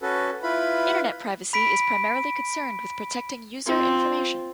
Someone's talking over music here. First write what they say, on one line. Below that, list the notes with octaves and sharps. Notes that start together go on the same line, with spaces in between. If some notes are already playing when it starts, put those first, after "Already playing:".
Internet privacy is primarily concerned with protecting user information.
C#4 F#4 A4 B4
E4 F4 B4 B5
B5 B6 D7
C4 F4